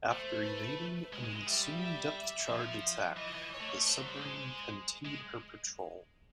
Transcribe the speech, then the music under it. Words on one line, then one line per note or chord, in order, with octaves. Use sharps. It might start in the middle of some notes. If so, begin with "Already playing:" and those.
After evading an ensuing depth charge attack, the submarine continued her patrol.
A3 C5
B4
G#3 D#5
G#3
G#3
G3 E5
E5
F3
E3 D#5
E3
C#5
A3
A#3
A3
C5
F#3
G3
G#3
G#3